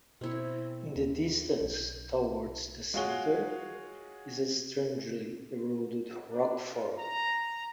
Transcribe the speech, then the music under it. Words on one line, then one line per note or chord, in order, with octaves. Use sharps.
In the distance towards the center is a strangely eroded rock form.
B2 C4 E4 C#5
D#2
B1
G#3 F4 F#4 G#4 C#5 G7
D4
F4
A#5